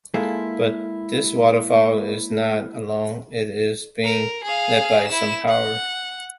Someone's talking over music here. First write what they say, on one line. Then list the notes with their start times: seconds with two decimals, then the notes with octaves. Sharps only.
But this waterfowl is not alone; it is being led by some Power.
0.14 G#3 A#3 E4 F4 G#4 A4
4.04 A#4
4.44 G#4 F5
5.07 E4 E7
5.49 F#5